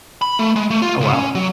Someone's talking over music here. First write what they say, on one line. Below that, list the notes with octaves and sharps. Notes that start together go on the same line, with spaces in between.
Oh, wow.
B5
A3
G#3
A3
F4
C#2
C#4
F#3